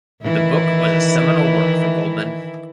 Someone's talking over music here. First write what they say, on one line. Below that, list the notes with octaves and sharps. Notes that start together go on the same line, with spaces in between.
The book was a seminal work for Goldmann.
D#3 E3 E4